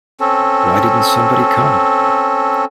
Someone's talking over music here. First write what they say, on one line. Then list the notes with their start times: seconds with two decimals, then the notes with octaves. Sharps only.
Why didn’t somebody come?
0.20 C4 C#4 A4